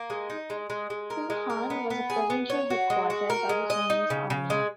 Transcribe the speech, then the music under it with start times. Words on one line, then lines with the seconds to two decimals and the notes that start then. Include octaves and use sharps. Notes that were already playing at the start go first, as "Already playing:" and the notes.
Wuhan was the provisional headquarters of the Chinese Army.
Already playing: A#3
0.10 G#3
0.30 D#4
0.50 G#3
0.70 G#3
0.90 G#3
1.10 A#4
1.30 G#3
1.50 A#4
1.70 B3
1.90 B3
2.10 G#4
2.30 B3
2.50 C#5
2.70 F#4
2.90 G#3
3.10 F#4
3.30 A#4
3.49 G#3
3.70 D#5
3.90 D#4
4.10 C#3
4.30 C#3
4.50 G#3